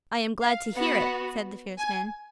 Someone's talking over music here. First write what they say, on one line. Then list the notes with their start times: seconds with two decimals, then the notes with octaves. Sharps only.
'I am glad to hear it,' said the fierce man.
0.40 F5
0.75 B3 F#4 F#5
1.79 G#5